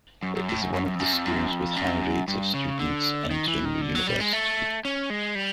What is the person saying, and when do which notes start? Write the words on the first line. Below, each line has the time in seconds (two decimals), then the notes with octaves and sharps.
It is one of the schools with high rates of students entering the university.
0.23 F#2
0.36 F#2
0.49 A2
0.62 F#2
0.74 F#2
0.87 F#2
0.96 F2
1.00 F#2
1.13 F2
1.26 F#2
1.51 F2
1.76 F#2
2.28 G2
2.54 C#3
2.79 D3
3.31 D#3
3.48 E3
3.65 D#3
3.81 D3
3.95 F#3
4.07 G3
4.20 G#3
4.33 A3
4.85 C#4
5.10 G#3
5.35 G3